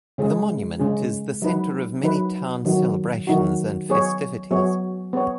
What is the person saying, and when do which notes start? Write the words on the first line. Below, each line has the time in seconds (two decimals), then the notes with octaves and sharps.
The Monument is the center of many town celebrations and festivities.
0.18 C#3 G#3 C#4 G#4
0.80 C#3 G#3 C#4 G#4
1.42 F#3 D#4 B4
2.04 F#3 D#4 B4
2.65 D#3 F#3 D#4 F#4
3.27 D#3 F#3 D#4 F#4
3.89 F#3 B3 G#4 C#5
4.51 F#3 B3 G#4 C#5
5.13 B3 G#4 C#5